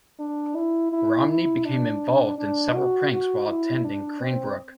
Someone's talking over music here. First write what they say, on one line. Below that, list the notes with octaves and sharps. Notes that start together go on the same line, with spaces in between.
Romney became involved in several pranks while attending Cranbrook.
D4
E4
E4
E4
D4
D4
F#4
F#4
E4
D4
C4